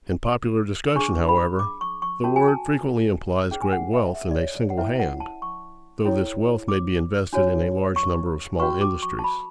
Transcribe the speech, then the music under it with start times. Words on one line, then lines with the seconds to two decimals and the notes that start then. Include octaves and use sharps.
In popular discussion, however, the word frequently implies great wealth in a single hand, though this wealth may be invested in a large number of small industries.
0.96 D4 G#4 B4 C#6
1.29 B5
1.59 D6
1.81 C#6
2.02 C#6
2.24 C#4 F#4 A4 A5
2.36 G#5
2.48 A5
3.51 C#4 G#4 B4
3.62 G#5
3.72 F#5
3.93 E5
4.14 E5
4.31 D5
4.35 C#5
4.56 D5
4.70 F#5
4.77 C#4 E4 B4 E5
5.00 F#5
5.20 A5
5.42 C#6
6.05 C#4 E4 A4 C#5
6.68 D6
7.33 D4 F#4 C#5
7.96 C#6
8.59 C#4 F#4 B4 C#6
8.81 D6
9.02 C#6
9.19 A5
9.24 B5